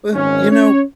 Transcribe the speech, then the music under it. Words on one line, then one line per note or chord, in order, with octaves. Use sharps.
w you know,
G#1 C#4
C#4 C#5